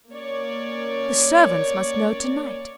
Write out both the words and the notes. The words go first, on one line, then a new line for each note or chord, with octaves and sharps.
The servants must know to-night.
A#3 C#4 C#5 D5